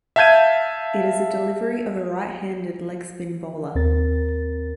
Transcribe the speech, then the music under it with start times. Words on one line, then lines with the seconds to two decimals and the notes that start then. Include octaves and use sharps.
It is a delivery of a right-handed leg spin bowler.
0.16 E5 F5 A5 G6 G#6 D#7
3.75 D#2 C4 A#4 A6